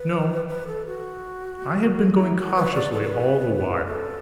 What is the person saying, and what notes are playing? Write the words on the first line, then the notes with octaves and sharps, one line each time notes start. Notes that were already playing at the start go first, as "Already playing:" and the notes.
No, I had been going cautiously all the while.
Already playing: B4
B4
A4
F#4
F#4
E4
F#4
B4
D5
A4
B4
A4